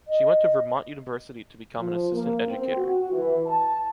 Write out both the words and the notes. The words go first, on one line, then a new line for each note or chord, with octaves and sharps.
She went to Vermont University to become an assistant educator.
D#5
F3
A#3
C4
F#4
E3
A5